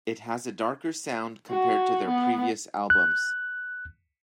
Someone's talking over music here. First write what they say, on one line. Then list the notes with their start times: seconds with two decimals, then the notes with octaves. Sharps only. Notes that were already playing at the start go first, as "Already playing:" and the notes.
It has a darker sound compared to their previous albums.
1.50 F#4
2.07 B3
2.90 F#6